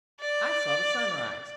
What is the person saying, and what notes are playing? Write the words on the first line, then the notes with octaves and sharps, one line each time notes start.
I saw the sun rise.
D5